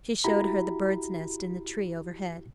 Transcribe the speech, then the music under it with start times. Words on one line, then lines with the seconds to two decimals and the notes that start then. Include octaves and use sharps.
She showed her the bird's nest in the tree overhead.
0.24 E4 F#4 G4 A#5 B5